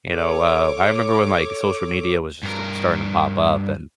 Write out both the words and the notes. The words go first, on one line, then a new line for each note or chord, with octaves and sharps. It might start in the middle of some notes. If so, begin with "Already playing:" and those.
you know, uh, I remember when, like, social media was st starting to pop up, and
A4 C#5 D6
G2 A#4